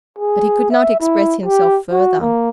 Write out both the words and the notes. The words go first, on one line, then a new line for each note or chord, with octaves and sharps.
But he could not express himself further.
G#4
E5
E4
G4
F#4
A#3